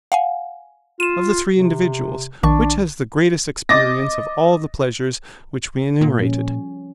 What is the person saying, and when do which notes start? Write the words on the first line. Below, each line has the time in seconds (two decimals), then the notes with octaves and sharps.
Of the three individuals, which has the greatest experience of all the pleasures which we enumerated?
0.12 F5 F#5 G#5
1.00 F4 D#7 E7
1.56 C3
2.43 A#1 D#3 D4 C#6
3.69 D#5 D6 A6 A#6
6.01 A#2
6.19 F3 G3 C#4